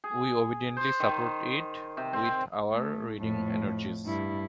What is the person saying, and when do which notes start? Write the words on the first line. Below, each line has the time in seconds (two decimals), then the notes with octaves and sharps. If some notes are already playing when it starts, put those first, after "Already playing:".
We obediently support it with our reading energies.
0.04 G#4
0.77 C5
1.00 D#3
1.97 C3
2.13 C4
2.67 A3
3.17 F2 A2
4.05 G2 E4